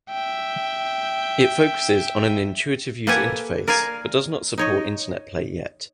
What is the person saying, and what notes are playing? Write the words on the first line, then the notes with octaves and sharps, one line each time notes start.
It focuses on an intuitive user interface, but does not support internet play yet.
E5 G5
A#3 G4 A4 B4 F#5 G#5
A#4 D5 F5 G#5
D#4 C#5 D#5